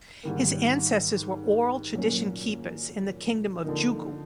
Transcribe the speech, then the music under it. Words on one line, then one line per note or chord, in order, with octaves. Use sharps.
His ancestors were oral tradition keepers in the kingdom of Djougou.
G#2 D#3 G3 A#3
A#2 F#3 A#3 C#4
D3 F3 A#3 D#4